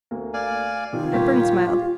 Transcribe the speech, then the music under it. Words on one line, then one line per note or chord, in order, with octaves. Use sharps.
Hepburn smiled.
D2 A#3
D5 F5 G#5
C3 D#3 F4
D#1 A#3 G4 C#5 B6
G4